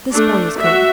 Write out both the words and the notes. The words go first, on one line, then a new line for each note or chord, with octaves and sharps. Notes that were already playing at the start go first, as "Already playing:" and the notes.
"This boy is good."
A3 D4
F#4 E5